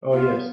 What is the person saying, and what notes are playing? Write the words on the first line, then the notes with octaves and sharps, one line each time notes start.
Oh, yes.
B3 F4